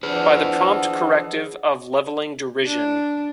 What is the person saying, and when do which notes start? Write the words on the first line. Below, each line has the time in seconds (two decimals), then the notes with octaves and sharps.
By the prompt corrective of levelling derision.
0.03 F3 D4 G#4 B4 F#5
2.66 D4